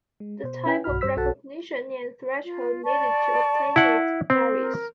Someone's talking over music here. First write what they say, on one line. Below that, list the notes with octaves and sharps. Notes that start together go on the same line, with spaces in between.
The type of recognition and threshold needed to obtain it varies.
G#3
B2 C5
C#4 E4 B4 G5 G#5
B1 G2 F#4 B5 F6
G2 G3 C5 E6 B6
B1 F#4 A4 F#5 A5
F4
D5 A5 C#6
E4 F#5
C4
A#4